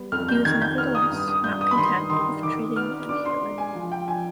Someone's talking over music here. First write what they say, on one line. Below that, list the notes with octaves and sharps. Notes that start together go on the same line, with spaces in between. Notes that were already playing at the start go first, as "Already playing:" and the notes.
He was nevertheless not content with treating and healing.
Already playing: G3 B3
F2 F6
G6
D#3 G#6
G6
B3 F6
D#6
G2
D#6
G2 G6
D#6
B5
D#3 C6
D#3 C6
D#3 D6
B3 F6
D4 D6
C6
G#3
G#5
F3
G5
F3 G#5